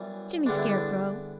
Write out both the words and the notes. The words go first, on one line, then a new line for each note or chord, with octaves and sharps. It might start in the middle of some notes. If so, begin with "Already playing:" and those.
"Jimmy Scarecrow!"
Already playing: F#2 E3 G3 B3
E2 D3 G3 B3 D4
E4
D4